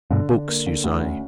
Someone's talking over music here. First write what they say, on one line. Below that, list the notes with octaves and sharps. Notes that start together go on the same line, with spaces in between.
"Books," you say.
G2 B2 D3
D3
A#3
D3
D2
C#4